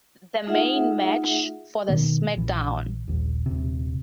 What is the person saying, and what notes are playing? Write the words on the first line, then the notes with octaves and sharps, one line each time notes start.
The main match for the SmackDown!
A3 D#4 F4 G#4 E5 F#5
B2 D#3 A#3
A#1 E3
D#1 A#1
D#1 C3